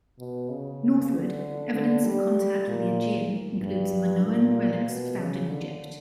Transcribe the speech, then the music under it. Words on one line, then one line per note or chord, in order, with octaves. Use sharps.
Northward, evidence of contact with the Aegean includes Minoan relics found in Egypt.
B2
C#3
D3
D3
G3
A#2
G2
A#2
B2
C#3
D3